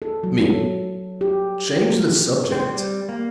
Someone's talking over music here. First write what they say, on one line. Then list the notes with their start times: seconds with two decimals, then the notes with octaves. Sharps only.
ME: Change the subject.
0.02 A4
0.23 F#3
0.44 A4
1.21 G4
2.52 C4
2.69 G3
3.09 A#3